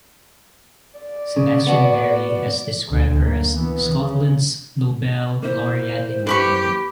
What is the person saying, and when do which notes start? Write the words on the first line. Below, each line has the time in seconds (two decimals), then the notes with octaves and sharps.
Sebastian Barry has described her as "Scotland's Nobel laureate-in-waiting".
0.99 D5
1.36 C#3
1.67 B3 F#4
2.90 D2
3.24 A#3
3.55 E3 B3
3.93 C#3
5.43 A#3 E4 C5
6.27 G4 B4 B5 C#6